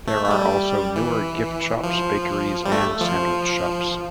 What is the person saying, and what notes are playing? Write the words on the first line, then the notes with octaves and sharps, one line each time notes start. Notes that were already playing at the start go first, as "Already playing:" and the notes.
There are also newer gift shops, bakeries and sandwich shops.
A3
A3
G3
E3
F3
G3
A3
F3